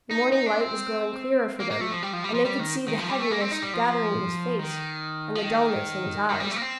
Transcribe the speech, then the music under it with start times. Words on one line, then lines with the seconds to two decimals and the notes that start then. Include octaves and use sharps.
The morning light was growing clearer for them, and they could see the heaviness gathering in his face, and the dulness in his eyes.
0.11 D#4
0.32 D#4
0.46 D4
0.61 C4
1.60 A#3
1.71 A#3
1.81 A3
1.92 F3
2.03 G3
2.13 F3
2.24 G3
2.35 F3
2.45 G3
2.59 D#3
2.88 D#3
2.99 F3
3.10 G3
3.20 A3
3.31 A#3
3.41 C4
3.52 D#4
3.63 G3
3.74 F3
4.59 D#3
5.35 F3
5.44 D#3
6.29 D#3
6.40 G3
6.51 A3
6.56 A#3
6.61 C4